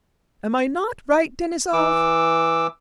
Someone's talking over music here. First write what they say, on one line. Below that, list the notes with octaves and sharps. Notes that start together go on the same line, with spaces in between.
Am I not right, Denisov?
E3 D6 E6